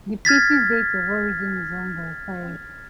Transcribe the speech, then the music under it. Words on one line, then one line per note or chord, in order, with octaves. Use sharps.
The piece’s date of origin is unverifiable.
F6 G#6 A6 B6